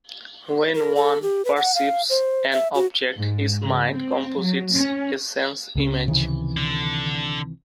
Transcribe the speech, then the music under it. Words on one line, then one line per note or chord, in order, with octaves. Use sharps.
When one perceives an object, his mind composites a sense-image.
A#4
A4
G4
B4
F#5
F5
C5
E5
F#4
G#2
C#3
C4
F#3
C#4
C#2 C#3 C#4
C3 D#3 E3
D3 D4